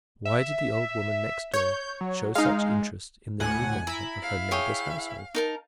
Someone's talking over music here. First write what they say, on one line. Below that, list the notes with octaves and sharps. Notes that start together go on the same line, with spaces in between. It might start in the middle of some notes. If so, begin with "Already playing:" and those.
Why did the old woman next door show such interest in the new member of her neighbor's household?
E5
C#5 G6
F#3
G#3 D#4 F5
D2 A2 F#5 G#5
E4 A#5 B5
F5
G#4 C#5 G5
D#4 A#4 A5